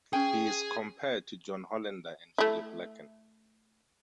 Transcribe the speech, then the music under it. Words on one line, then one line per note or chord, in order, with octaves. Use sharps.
He is compared to John Hollander and Philip Larkin.
C#4 G#4 G5 G#5
A3 E4